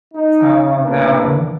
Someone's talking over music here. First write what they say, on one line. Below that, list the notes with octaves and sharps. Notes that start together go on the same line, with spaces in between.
Oh no,
D#4
A#1 A2 A#3 D4 B4